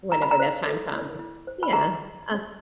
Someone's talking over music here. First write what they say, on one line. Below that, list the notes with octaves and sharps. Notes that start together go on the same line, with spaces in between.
whenever that time comes. Yeah, uh
E4 A#5
B5
A#5
C5
A4
E4
E4
C5
B5
G#4 A#5